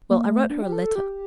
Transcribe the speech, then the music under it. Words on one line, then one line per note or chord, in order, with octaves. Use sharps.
Well, I wrote her a letter.
A#3
A3
D4
G4
A4
G4